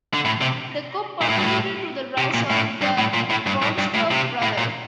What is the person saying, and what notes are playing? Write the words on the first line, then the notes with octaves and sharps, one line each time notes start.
The coup contributed to the rise of the Vorontsov brothers.
D3
A2
C3
A#2
A2
G2
A2
C3
A#2
A2
G2
A2
A#2
A2
G2
A2
G2
A2
C3
A2
A#2